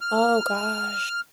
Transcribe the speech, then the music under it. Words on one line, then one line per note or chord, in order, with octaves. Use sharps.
Oh, gosh.
F6